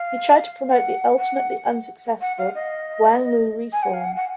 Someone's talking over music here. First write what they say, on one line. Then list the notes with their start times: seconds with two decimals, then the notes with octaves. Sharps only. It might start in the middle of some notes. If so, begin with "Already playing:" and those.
He tried to promote the ultimately unsuccessful Gwangmu Reform.
Already playing: F5
0.69 F#5
1.19 F#5
2.21 F#5
2.38 F5
2.55 D#5
3.73 G#5
3.83 F#5
3.94 F5
4.04 F#5
4.16 F#5